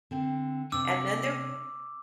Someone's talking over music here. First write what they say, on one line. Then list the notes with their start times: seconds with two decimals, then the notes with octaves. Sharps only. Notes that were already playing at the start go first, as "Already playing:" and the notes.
and then there
0.11 D3 C4 F5
0.72 C3 D4 D6 E6